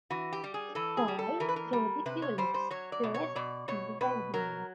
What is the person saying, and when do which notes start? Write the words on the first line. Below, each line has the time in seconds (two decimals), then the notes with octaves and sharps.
"Tiptoe Through the Tulips" plays in the background.
0.10 E3 F#4
0.33 G4
0.44 G3
0.54 G#4
0.75 E3 A4
0.97 G#4
1.08 G3
1.19 A4
1.40 E3 A#4
1.49 B4
1.56 A#4
1.73 G3
2.06 C3 B4
2.22 C#5
2.38 G3 C5
2.54 C5
2.71 F#3 C#5
2.92 D5
3.03 B2
3.14 C#5
3.35 B2 D5
3.68 B2 C#5
4.01 B2 B4
4.34 F#3 A#4